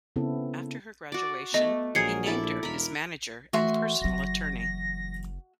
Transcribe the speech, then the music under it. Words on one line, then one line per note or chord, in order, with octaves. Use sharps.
After her graduation, he named her his manager and personal attorney.
C#3 B3 C4 E4 A4
F#4 D5
A3 B3 D#5
A#1 F#3 G#4 A#4 G#6 C7 C#7
E4 A4 D5
E1 A#4 B5
E3 A3 F#4 E5 C6
F#1 E3 F#3 A#6